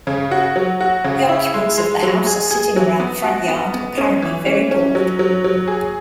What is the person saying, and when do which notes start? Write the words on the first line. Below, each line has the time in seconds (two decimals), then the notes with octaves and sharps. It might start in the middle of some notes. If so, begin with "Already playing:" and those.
The occupants of the house are sitting around the front yard apparently very bored.
0.07 C#3
0.31 F#4
0.56 F#3
0.81 F#4
1.04 C#3
1.29 E4
1.54 G#3
1.78 G#3
2.03 F#3
2.27 G#4
2.51 G#4
2.76 F#3
3.00 B3
3.24 F#4
3.48 B3
3.74 B3
3.98 C#4
4.22 E3
4.46 C#4
4.71 C#4
4.95 F#3
5.19 F#3
5.44 F#3
5.67 G#4